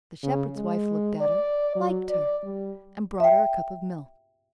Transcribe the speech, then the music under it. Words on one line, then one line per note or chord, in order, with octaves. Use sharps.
The shepherd's wife looked at her, liked her, and brought her a cup of milk.
C#3
G#3
D5
F#3
D5
G3
E5 G5